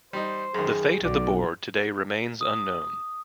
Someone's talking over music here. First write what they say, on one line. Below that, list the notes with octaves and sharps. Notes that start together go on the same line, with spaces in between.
The fate of the board today remains unknown.
G3 D#4 C5
F#2 D#3 G#4
B1 F#4 D5
D#6